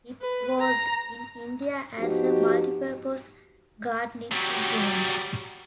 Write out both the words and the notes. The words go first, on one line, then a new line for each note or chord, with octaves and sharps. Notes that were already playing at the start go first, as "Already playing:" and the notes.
It evolved in India as a multi-purpose gardening implement.
B4
A#5
F3 B3 D#4 F#4 G4
F#3 G3